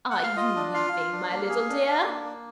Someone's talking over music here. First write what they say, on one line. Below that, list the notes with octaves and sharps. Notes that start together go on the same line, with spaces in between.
'Are you weaving, my little dear?'
F#5
F5
F4 D#5
D4
F4 F5
F4
D4
A#3
G#4
D4
D4
A#3
A#3